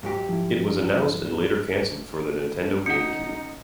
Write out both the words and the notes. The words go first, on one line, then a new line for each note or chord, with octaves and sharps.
It was announced and later canceled for the Nintendo GameCube.
G#2 F#3 G4
F3 E4
C#4 D#4 F#5 C#7